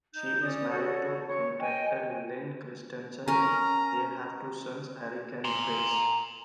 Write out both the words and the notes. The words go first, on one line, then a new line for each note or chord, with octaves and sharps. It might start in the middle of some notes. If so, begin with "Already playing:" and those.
She is married to contractor Len Kristensen; they have two sons, Eric and Bryce.
D#4 G6
C#4 D5 D#6
F#4 A4 C#5
C#5
D#5 G5 G#5
C#4 A#4 A#5
A#5 C6